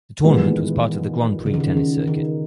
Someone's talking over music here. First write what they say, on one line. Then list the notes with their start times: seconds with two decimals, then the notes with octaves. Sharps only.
The tournament was part of the Grand Prix tennis circuit.
0.24 A#2 E3 G#3 B3 G4
0.34 D#3
0.44 E3
1.46 C#3
1.54 D#3
1.60 C#3
1.77 D#3
2.07 D#3